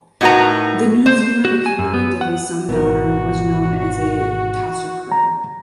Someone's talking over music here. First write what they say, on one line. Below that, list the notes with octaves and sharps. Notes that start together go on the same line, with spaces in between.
The New Zealand equivalent of a sundowner was known as a "tussocker".
A2 D#4 F#4 A#4 B4 A#5
C5
F#4
G#5
F#2
B3
F#5
G#1 B2 E3 B3 F#4 A#4
A#5